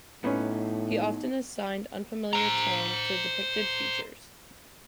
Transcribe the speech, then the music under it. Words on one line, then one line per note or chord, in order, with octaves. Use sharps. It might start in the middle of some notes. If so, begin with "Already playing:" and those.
He often assigned unfamiliar tone to depicted features.
A2 B3 C#4 D#4 B4 D#5
C5 A#5